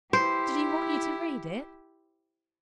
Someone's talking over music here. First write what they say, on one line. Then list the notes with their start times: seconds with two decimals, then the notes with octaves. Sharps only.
"Did he want you to read it?"
0.13 E4 G4 C5